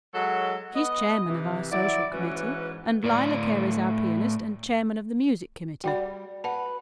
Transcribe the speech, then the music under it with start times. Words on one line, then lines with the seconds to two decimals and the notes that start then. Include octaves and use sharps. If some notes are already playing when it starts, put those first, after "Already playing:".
She's chairman of our social committee, and Lila Cary's our pianist and chairman of the music committee.
0.14 F#3 G#3 A4 C#5 F#5
0.74 B3 D#5
1.25 C3 E3
1.70 F#3 E4 D5
2.11 G#2 E3 C#4 F#4 B4
3.04 A2 D5
5.84 G3 F#4 G#4 D5 F#5 G5 B5
6.44 B4 F#5 A5